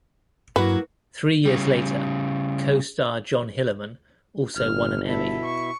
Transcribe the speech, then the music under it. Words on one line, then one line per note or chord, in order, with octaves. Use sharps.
Three years later, co-star John Hillerman also won an Emmy.
G2 F#3 A#3 E4 F#4 B4
C#3 G3
G1 F6
B2 E4 A4 E5
C#6